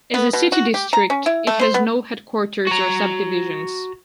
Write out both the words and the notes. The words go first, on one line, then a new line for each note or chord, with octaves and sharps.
As a city district, it has no headquarters or subdivisions.
B3
B2
F#4
G4
A#5
C#4
E4
A3
C5
B3
F#4 A#5